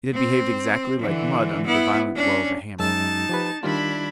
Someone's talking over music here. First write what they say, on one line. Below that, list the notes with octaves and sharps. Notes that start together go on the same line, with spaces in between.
It had behaved exactly like mud under the violent blow of a hammer.
C4
D3 E3
B3 E4
C#4 D4
F#2 G#3 D#4 A5 E6
F3 G4 B4
D#3 G3 D4 E4 F4 B5